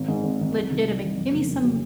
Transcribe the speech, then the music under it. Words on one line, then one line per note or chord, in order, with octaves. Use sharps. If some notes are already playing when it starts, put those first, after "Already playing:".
legitimate give me some
Already playing: G#1
G#2 D#3 G#3
G#1
G#2 D#3 G#3
C2
C3 D#3 G3
C2
C3 D#3 G3
F2
C#3 F#3 A#3
F2
C#3 F#3 A#3